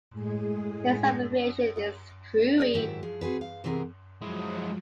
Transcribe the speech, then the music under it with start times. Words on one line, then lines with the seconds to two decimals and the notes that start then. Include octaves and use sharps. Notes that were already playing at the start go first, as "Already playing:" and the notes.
His abbreviation is "Crewe".
0.11 A2 G#3 G#4
2.59 G#4 D5
2.74 G#2 D#3 F#3 E4 G4 E5
3.03 F3 G#4
3.21 C4 F#4 G#4 B4
3.41 F5
3.64 C3 E3 B3 C4 G#4 A#4
4.22 F3 F#3 G#3 E4